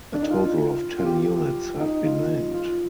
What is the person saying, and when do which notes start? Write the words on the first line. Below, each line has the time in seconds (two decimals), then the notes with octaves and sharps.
A total of ten units have been named.
0.14 D4
0.22 D#4
0.30 F4
0.98 F4
1.05 G4
1.80 D#4
2.05 F4
2.53 F4